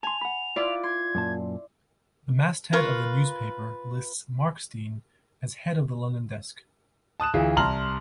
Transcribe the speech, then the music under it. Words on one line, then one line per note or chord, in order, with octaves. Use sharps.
The masthead of the newspaper lists Markstein as head of the London desk.
G#5 A5 C6 F7
F#5 B5
E4 F4 B4 D5
C6 G#6
F#2 A#2 A5
F4 A#4 B4 C#6
A5 D#6 F#6 E7
D2 E3 F4 G#4
C2 A5 A#5 C6 F6 F#7